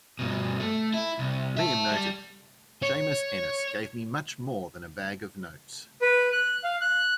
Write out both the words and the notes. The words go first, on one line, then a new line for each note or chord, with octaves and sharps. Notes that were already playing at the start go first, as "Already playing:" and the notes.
Liam noted: Seamus Ennis gave me much more than a bag of notes.
G2 B2
A3
E4
C2
E5 A5
G3
C#5
B4
F#6
F5
F#6